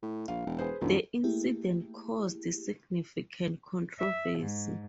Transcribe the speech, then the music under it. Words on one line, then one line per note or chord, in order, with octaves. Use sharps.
The incident caused significant controversy.
A2
A#1 F5
E1
G#4 B4 C5
A#1 F#2 D#3 F3
A3 A#3 E4 G4 G#4
E5
G#2